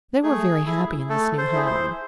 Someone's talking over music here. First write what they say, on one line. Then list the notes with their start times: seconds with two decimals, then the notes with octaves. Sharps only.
They were very happy in this new home.
0.23 A3 G#4
0.66 E4 G#4
1.09 A3 A4
1.38 C5
1.53 E4 G#4
1.66 C5